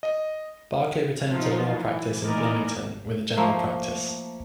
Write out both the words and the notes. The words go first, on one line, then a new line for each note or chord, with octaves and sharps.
Barkley returned to law practice in Bloomington, with a general practice.
D#5
F3 F#3 D#4 F4
E3
D#3 E3 A#3 A#4 D5 D#5
F3 A3 A#3 C5